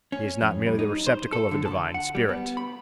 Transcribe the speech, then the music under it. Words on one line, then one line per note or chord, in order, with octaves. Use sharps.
He is not merely the receptacle of a divine spirit.
C#4
F2
G3
D#4
C5
A4
D3
A5
F#5
G3
B3
B5